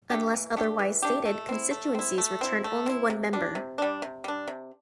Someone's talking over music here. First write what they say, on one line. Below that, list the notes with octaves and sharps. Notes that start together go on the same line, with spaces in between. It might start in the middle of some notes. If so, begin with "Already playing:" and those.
Unless otherwise stated, constituencies returned only one member.
A3 D4 G4
E3
A3 D4 G4
E3
A3 D4 G4
A3
C4 E4
A3
C4 E4
A3
C4 E4
A3
C4 E4
C3
G3 D4
C3
G3 D4
C3
G3 D4
C3